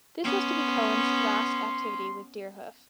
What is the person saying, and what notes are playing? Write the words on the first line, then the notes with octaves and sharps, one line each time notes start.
This was to be Cohen's last activity with Deerhoof.
B3 C#4 C6